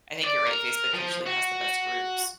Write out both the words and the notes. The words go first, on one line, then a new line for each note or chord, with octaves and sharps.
I think you're right, Facebook usually has the best groups.
D5
A#4
F3
F#4